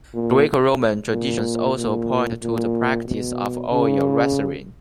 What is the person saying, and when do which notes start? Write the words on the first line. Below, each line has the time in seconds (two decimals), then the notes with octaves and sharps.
Greco-Roman traditions also point to the practice of oil wrestling.
0.14 A#2
1.12 A#2
1.77 A#2
2.43 A#2
3.08 B2
3.73 C#3